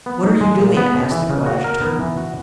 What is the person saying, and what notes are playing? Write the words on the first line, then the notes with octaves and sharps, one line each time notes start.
"What are you doing?" asked the coadjutor.
B3
D#4
G#3
A#2
B3
C#3
E3
C#3
F#4
A#4
B3
E3
F#4